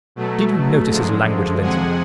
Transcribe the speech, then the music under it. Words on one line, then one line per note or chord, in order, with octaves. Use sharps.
Did you notice his language, Linton?
B2 F#3 A3
F#2 D3 F3 G#3
F2 C3 F3 G#3 F#5 G#5